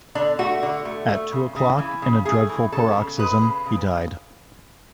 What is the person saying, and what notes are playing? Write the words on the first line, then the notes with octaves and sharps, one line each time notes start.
At two o’clock, in a dreadful paroxysm, he died.
D3 D4
A3 F#4
D3
A3
A3
C#3
C#3
E3
C#3
A3 G#4
E3
C#3 A4
C#3
G#3 B4
C#3
C#3